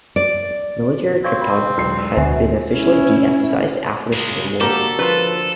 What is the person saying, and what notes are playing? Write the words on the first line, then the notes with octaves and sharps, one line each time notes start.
Military cryptography had been officially deemphasized after the Civil War.
D5
C4 D5 F5 C#6
B5
E1 B1 C7
D2 B2 E5 F#5 G#5
C#4 E4
C#3 G#3
D3 A#3 F#4 G4 A4 A#4 A#5
F3 F4 B4